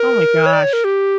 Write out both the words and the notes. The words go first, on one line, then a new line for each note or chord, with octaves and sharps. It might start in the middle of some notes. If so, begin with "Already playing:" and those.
Oh my gosh.
Already playing: A#4
C#5
D5
C#5
A#4
G4